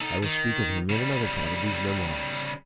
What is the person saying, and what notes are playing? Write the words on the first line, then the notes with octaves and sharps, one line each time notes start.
I will speak of him in another part of these Memoirs.
D#4 A4
D#3
C#3 G3